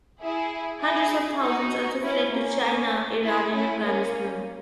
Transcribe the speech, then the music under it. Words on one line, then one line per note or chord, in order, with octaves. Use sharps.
Hundreds of thousands also fled to China, Iran and Afghanistan.
E4 G#4
E4 G#4
D#4 F#4
C#4 E4
A#3 C#4
A#3 C#4
E4 G#4
C#4 E4
A#3 C#4